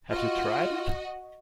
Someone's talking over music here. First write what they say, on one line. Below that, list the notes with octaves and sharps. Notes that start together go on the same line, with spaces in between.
Have you tried it?
F4 F#4 D#5